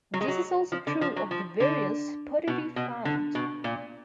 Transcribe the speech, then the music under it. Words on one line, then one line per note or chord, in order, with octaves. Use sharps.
This is also true of the various pottery found.
F#3
G#3
F#3
F3
D3
F3
F#3
F3
D3
B2
B2
D3
B2
A#2